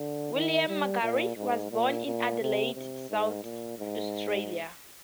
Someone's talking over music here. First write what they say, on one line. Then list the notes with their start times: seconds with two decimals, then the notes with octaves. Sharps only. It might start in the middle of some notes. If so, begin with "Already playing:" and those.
William Magarey was born in Adelaide, South Australia.
Already playing: D3
0.34 D#3
0.68 G3
1.02 A#2
1.37 G#2
1.71 A#2
2.06 A#2
2.40 C3
2.75 C3
3.09 G#2
3.43 A#2
3.78 G#2